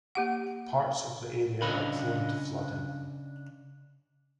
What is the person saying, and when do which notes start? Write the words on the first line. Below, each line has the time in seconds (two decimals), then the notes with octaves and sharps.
Parts of the area are prone to flooding.
0.15 A#3 G4 F#5
1.62 C#3 D4 D#5 F5 B5